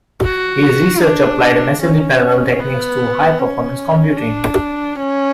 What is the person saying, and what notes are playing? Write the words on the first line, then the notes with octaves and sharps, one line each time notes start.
His research applied massively parallel techniques to high-performance computing.
F#4
D4
C#4
B3
C#4
D4
C#4